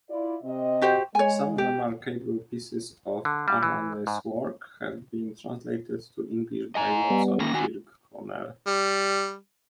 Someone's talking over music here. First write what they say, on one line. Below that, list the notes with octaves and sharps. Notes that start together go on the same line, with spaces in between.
Some remarkable pieces of Arany's works have been translated to English by Watson Kirkconnell.
E4 F4 D5
C3 C4 D#5
F#4 G4 C5
G#3 C#5 G#5
G4
D3
G3
E3
G#2
D#5 G#5 A#5
G3 B3
D#3 A#3 C#4 A#6
D#3 F#4 G#5
G3